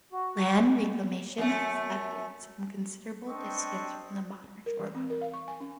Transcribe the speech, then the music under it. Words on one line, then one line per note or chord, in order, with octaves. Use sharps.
Land reclamation has left it some considerable distance from the modern shoreline.
F#4
F#2 A3
C4 D4 A4 D#5 G5 C#6
A#4
E3
C4
A#4
F5
C#6
G#5
C#4